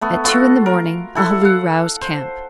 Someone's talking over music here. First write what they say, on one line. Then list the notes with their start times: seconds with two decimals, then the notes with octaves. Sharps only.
At two in the morning a halloo roused camp.
0.01 A3 B3
0.24 B3 F4 F#4 A4
0.66 A#4
1.16 E4 A4 E5 F#5
1.41 F5 F#5
2.01 C5